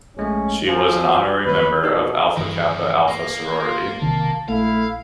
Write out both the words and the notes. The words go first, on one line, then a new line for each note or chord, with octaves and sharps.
She was an honorary member of Alpha Kappa Alpha sorority.
A#1 G#3 A3 C#4
F3 F#4 G#5
D#2 B4 C#5
B2 D#4 G4 A#4
G2 D#3 E3 E4
A#3
F4
B1 C3 D#3 A5
A#1 A3 E4 F5